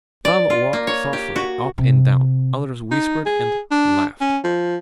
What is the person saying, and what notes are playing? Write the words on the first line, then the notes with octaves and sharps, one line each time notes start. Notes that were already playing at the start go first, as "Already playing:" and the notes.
Some walked thoughtfully up and down, others whispered and laughed.
D5
F4
A#3
C#5
G4
F#4
C3
D#4
G#4
D4
C#4
F3